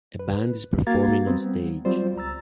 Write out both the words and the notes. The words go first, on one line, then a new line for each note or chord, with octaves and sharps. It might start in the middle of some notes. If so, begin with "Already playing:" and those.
A band is performing on stage.
B4
A#3 F#4 F5 A#5 G#6 A6
G3 B3 C4
F#3 G3 C4 F4 C5 D5
C#2 A#5 E6 A6